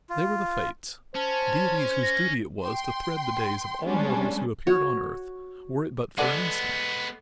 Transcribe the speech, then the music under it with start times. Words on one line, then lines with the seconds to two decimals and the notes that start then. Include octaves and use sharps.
They were the Fates, deities whose duty it was to thread the days of all mortals who appeared on earth, were it but for an instant.
0.10 F4
1.15 C#4 C5 A5
2.03 A#6
2.64 G5 C6
3.84 G3 G#3 B3 C#4 D4
4.67 F#4 C#5
6.18 G#3 B3 A4 D5 F#5